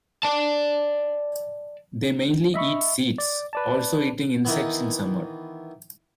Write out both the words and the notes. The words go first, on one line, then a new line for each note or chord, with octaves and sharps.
They mainly eat seeds, also eating insects in summer.
D5 A5
D#5 E5 B5 C#6
D5
B4 D5 A5
D#3 E3 B3